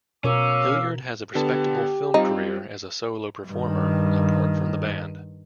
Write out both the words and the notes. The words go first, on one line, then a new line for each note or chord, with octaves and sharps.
Hilliard had a respectable film career as a solo performer, apart from the band.
B2 C#4 A#4 F5 D6 E6
D3 B3 G4 A5
G3 C4 D#4 F4
G2 D#3